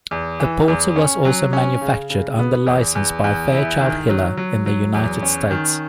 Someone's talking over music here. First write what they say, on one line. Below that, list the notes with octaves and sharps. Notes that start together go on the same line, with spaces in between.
The Porter was also manufactured under license by Fairchild Hiller in the United States.
E2
E3
E2
C#4
F#3
C#4
C#3
C#3
B3
E2
E2
E2
E4
D#3
F#3
F#3
F#3
E2
C#4
D#3